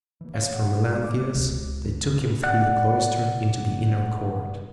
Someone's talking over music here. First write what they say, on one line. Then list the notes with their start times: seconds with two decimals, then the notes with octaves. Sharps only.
As for Melanthius, they took him through the cloister into the inner court.
0.21 E3 A#3
0.34 C#5 F5
0.54 F#5
0.91 G#1 A2
1.03 G#3 D6
1.35 C#2
2.43 D5 F#5 F#6